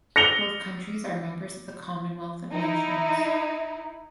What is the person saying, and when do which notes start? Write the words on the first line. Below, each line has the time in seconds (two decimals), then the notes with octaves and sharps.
Both countries are members of the Commonwealth of Nations.
0.16 A#6 C#7 F7 G7
2.52 D#4 E4